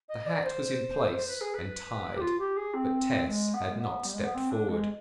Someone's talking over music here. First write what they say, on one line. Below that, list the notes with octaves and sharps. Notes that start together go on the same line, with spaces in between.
The hat was in place and tied, but Tess had not stepped forward.
D#5
D5
C5
C5
B4
G#4
B4
G4
F4
G4
G#4
C4
G#3
B3
G#3
B3
G3
G#3
B3
C4
D4
G#3